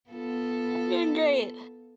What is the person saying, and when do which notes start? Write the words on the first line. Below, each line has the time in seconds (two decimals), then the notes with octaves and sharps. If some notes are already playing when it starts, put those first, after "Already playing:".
Doing great.
0.10 B3 F4 A4